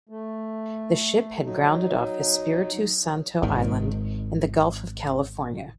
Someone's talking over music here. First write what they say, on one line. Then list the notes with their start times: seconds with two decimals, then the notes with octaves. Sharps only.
The ship had grounded off Espiritu Santo Island in the Gulf of California.
0.09 A3
1.45 F#3 D#4
3.42 G#1 D#3